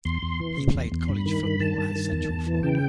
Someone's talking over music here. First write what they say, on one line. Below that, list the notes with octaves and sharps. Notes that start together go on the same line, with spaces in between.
He played college football at Central Florida.
E2 C6
E2
E3
C#3
E2
E2
C6
G2 B5
D#3
G2
D#3 A5
G2
D#3
E2
E2
E3
C#3 G5